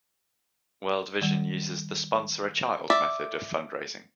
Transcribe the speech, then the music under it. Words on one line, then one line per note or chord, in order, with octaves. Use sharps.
World Vision uses the Sponsor a Child method of fundraising.
D#3 G3
D5 E5